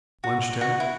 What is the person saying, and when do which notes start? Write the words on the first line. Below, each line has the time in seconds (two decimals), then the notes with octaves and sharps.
Lunch Temp.
0.24 F#4
0.61 F#4
0.80 E4